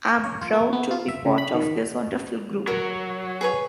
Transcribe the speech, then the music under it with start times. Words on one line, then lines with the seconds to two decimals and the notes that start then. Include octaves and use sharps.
I'm proud to be part of this wonderful group.
0.24 C#5
0.41 F4
0.53 A#3
0.73 B3
0.91 F4
1.08 E5
1.26 C#3
1.38 B5
1.54 D#3
2.67 F#3 A#4
3.41 G#4 B4 C#5